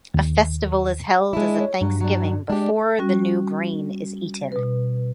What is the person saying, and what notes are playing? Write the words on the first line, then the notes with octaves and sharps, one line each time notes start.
A festival is held as a thanksgiving before the new grain is eaten.
D#2
G#3 D4 E4
C#5
G2 F#3
F#3 D4
G#3 D4 G4
G3 C#4 F#4
B2 B4